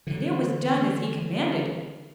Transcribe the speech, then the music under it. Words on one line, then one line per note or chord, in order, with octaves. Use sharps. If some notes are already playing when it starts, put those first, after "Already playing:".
And it was done as he commanded.
D3 E3